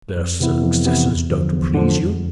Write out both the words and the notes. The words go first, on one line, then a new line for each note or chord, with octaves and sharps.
"Their successors don't please you?"
F2
C3 E3 B3 E4
F2
C3 E3 B3 E4
E2
D3 F3
E2
D3 F3
F2